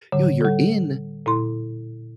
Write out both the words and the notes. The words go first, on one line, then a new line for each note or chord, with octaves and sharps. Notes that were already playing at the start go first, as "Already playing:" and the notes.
yo, you're in
A2 D3 G3
G3 A4
A#2 E4 C6